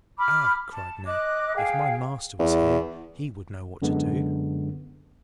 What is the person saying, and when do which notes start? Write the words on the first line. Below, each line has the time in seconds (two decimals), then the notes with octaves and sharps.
"Ah!" cried Neb, "if my master was here, he would know what to do!"
0.19 B5 D6 F6
0.71 A5
1.05 D#5 D6 F#6
1.56 G#4 F5 G5
2.39 E2
3.82 F#2 D3 G#3 B3